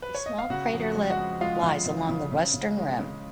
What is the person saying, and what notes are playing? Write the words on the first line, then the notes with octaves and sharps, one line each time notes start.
A small craterlet lies along the western rim.
B4
C#5
D#5
F5
C#3 F#4 F#5
F2
F#4 F#5
G#3
F#4 F#5
F2
G#3 F4 F5
C#3
C#3
C#3
C#3
C#3
G#3
C#3